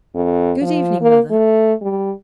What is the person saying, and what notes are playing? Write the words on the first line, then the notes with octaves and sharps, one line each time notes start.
'Good evening, Mother.'
F2
F3
A#3
A3
G3